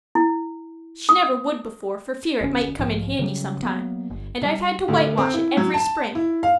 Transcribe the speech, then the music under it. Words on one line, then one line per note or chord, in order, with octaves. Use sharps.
She never would before for fear it might come in handy sometime and I've had to whitewash it every spring.
E4
D#6
F1 D2 C#4
B1 G#2 F3
C#3 F#3 G3
F#3 G3 A#3 B3
G1
C3 G3
D2
C4
E4
F#3
A5
E4
F5